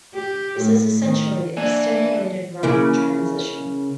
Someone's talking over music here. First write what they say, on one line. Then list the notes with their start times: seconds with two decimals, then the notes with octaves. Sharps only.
This is essentially a stimulated Raman transition.
0.14 G4
0.61 A2
1.00 D#3
1.57 A#3 D4 E5 G#5
2.63 C#3 A#3 E4